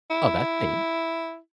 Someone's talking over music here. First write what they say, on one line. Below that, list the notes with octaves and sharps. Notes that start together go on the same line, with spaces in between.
Oh, that's neat.
E4